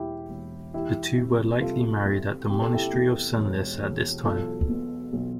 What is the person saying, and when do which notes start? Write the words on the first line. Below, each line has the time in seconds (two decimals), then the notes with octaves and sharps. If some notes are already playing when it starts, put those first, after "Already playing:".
The two were likely married at the monastery of Senlis at this time.
Already playing: E1 E2 E4 G4
0.29 E1
0.73 E3 E4 G4
1.18 C3
1.61 C2 F4 A4
2.05 C2
2.50 C3 G4
2.62 A4
2.74 E4 G4
2.93 E2
3.37 E1
3.82 E1
4.25 B1 F4 A4
4.69 B2
5.13 B1